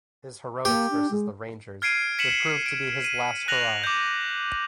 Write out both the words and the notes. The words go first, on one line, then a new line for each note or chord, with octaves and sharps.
His heroics versus the Rangers would prove to be his last hurrah.
A#3 G4
D4
G#3
F6 G#6 C7 D7 D#7
B6 C#7 D#7 E7 F#7
D7
D#7
F#6 A#6 F7 F#7
D6 G6